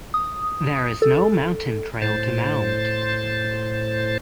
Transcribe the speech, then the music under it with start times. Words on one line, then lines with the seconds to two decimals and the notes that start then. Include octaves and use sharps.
There is no mountain trail to Mt.
0.14 D#6
1.02 A4
2.02 A2 C5 A6